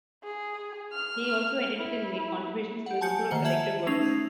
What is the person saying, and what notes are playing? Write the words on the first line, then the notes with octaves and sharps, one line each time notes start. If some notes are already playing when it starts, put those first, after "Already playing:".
He also edited and made contributions to a number of collective works.
G#4
F6
E4
G4 F#5
G#5 A5 G6 C#7
D#3 A#3 C5 F#5 C#7
E5 A5 G#6 F#7
A3 C#4 D#4 C7 F7